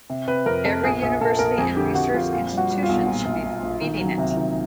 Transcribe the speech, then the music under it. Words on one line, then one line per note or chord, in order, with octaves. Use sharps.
Every university and research institution should be feeding it.
C3
C3 B4
F2 A#4
F2 A4
A#1 G#4
A#1 G#4
A#1 A4
A#1 A#4
F2 G#4
D3 G4
F2 F#4
F2 F4
A#2 F4
G3
F#4
G3
F4
B1
A#2
A#1
A#1
A#1
D#3
F#3
C3
D#3